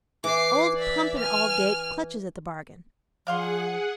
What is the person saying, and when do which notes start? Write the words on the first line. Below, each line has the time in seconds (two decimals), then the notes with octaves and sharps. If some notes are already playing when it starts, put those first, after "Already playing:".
Old Pump and Aldgate clutches at the bargain.
0.24 E3 D6 C7
0.76 D5 E5
1.19 G#5 F6
3.27 F3 D4 G#4 F5 F#5 C6